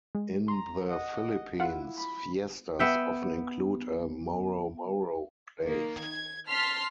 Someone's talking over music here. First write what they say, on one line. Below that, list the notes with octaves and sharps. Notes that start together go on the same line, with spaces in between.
In the Philippines, fiestas often include a "moro-moro" play.
G#3
A#5 C6
D#5 F#5
E4 F4 F5 F#5
B5
B3 E5 G5
D#3 A#3
G#6
A5 C6 F6 B6